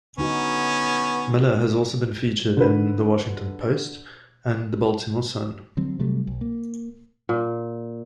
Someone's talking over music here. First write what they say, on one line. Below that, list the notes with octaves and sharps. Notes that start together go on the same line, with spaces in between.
Miller has also been featured in "The Washington Post" and "The Baltimore Sun".
D3 B3 C#4 D#4 F#4
D3 B4
D3 F#3 C4
C3 F#3 G3 A3
B1
A#3
A#2